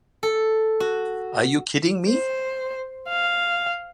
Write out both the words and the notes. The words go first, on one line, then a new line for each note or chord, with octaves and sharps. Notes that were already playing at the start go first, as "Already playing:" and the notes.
Are you kidding me?
A4
F#4
C5
F5